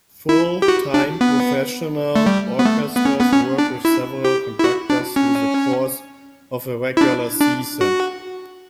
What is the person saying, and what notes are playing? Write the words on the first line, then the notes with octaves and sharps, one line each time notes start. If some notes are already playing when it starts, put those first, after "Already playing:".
Full-time professional orchestras work with several conductors through the course of a regular season.
E4
G4
F#4
D4
B3
A3
G3
B3
A3
B3
C#4
B3
C#4
D4
E4
G4
E4
F#4
D4
C#4
E4
D4
D4
F#4